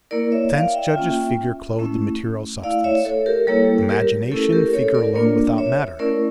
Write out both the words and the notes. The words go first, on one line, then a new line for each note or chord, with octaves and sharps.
Sense judges figure clothed in material substance, Imagination figure alone without matter.
A#3 E4 A#4 D5
C#5 E5
D5 F5
E5 G5
A#3 C#4 F4
A3 C#4 E4
A3 E4 D5 F5
C#5 E5
A4 C#5
G4 A#4
G3 A#3 E4 A4 C#5
G4 A#4
A3 C#4 E4 A4
G4 A#4
A4 C#5
A#4 D5
A#3 D4 F4 A#4 D5
C#5 E5
A3 C#4 E4 A#4 D5